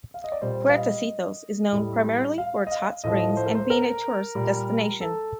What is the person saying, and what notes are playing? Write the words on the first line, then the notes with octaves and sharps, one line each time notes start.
Puertecitos is known primarily for its hot springs and being a tourist destination.
F5
D#5
D5
A#2 G3 C5
F5
D#5
A2 G3
F5
D#5
F5
A2 F3 D#5
C5
A#4
C5
A#4
A#2 G3
A4